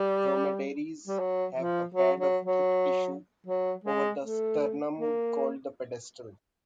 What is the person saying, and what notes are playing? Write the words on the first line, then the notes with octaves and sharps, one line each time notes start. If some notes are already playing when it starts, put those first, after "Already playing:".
Dromedaries have a pad of thick tissue over the sternum called the "pedestal".
Already playing: G3
G3
F#3
F3
F#3
F#3
F#3
F#3
G#3
A3
A#3